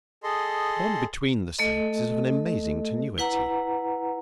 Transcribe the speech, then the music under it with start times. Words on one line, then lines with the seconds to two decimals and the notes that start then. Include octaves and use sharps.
The bond between the States is of an amazing tenuity.
0.23 G#4 A4 D#5 C6
1.59 A3 A4 D#5
3.18 E4 B4 F#5 A#5